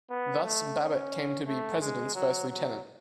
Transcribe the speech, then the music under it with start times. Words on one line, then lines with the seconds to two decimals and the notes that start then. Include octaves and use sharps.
Thus, Babbitt came to be "President"s first lieutenant.
0.10 B3
0.44 A3
0.78 C#4
1.46 A3
1.81 G#3
2.15 F#3
2.49 F#3